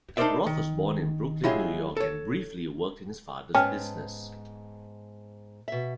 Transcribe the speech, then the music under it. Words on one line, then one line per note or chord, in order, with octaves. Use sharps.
Roth was born in Brooklyn, New York and briefly worked in his father's business.
D4 D#4 A#4 C5 D5 E5
D#3
F#3 G#3 E4 F4 G4 G#4
A4 C#5
G#2 B3 C#4 G5 A5 F6
B2 E5